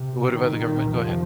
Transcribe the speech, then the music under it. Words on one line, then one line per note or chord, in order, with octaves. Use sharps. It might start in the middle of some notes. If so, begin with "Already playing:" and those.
What about the government? Go ahead.
Already playing: C3
C2 A#2 D#3
D#3
F2 C3 F3